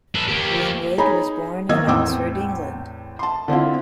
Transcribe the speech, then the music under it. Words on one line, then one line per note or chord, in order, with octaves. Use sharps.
Greenwood was born in Oxford, England.
A4 B4
A#3 G4
D#4 G#4 C#5 A#5 B5
D#3 A#3 D#5 E6 G#6
E2 A2 C4 G5 D6 E6
A5 C6
D3 C4 E4 F4